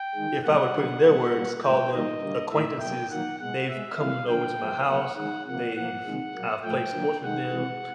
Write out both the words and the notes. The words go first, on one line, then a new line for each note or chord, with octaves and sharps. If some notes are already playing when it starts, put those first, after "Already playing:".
if I would put in their words, call them acquaintances, they've coming over to my house, they've I've played sports with them,
Already playing: G5
D#3 G#3
B2 G3 A#3 F#5
D3 F#3 A#3
B2 G3 A#3
A#2 G3 A#3
A2 F3 G#3 G5
D#3 G3 A#3 D#5
D3 G3 A#3
A2 E3 A3 E5
B2 F#3 A#3 G5
D#3 F#3 A#3 F#5
B2 G#3 F#5
B2 G#3 E5
C3 E3 G3 A#3 F5
D3 F3 A#3 G5
A#2 F3 G#3
B2 F#3 A#3 F#5
D#3 G#3 F#5
C3 F3 A#3 F#5
A#2 F3 A#3 F#5
C3 D#3 G#3
A#2 F#3 A#3
A2 F3 A3 G5
D3 F#3 A#3
D#3 G#3 F#5
C3 E3 G#3